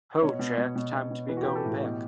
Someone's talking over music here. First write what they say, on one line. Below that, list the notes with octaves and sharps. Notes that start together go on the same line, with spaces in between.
'Ho, Jack, time to be going back.
B2 C#5
B2
B2
B2
B2
B2
E3 B4
F#4
G4
E3
A4
A2 G4
B2